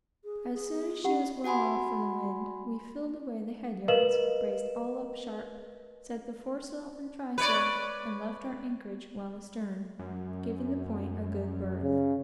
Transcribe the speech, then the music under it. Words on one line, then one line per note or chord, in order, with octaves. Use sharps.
As soon as she was well off from the wind, we filled away the head yards, braced all up sharp, set the foresail and trysail, and left our anchorage well astern, giving the point a good berth.
G#4
G#4
C#4 G4 F#5 B5
F#4 F#5 G#5 B5 C6
A#4 B4 D#5 F5 E7 F#7
B4 C#5 D5
F#2
C#3